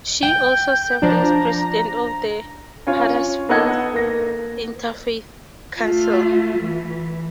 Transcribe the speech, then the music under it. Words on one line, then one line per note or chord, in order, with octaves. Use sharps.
She also served as president of the Huddersfield Interfaith Council.
G5 G6
F3 D4 A#5
C#4 F4 C#5
B3 D#4 A4 D#5 F#5 G#6
A#3 A#6
A3 F4
E3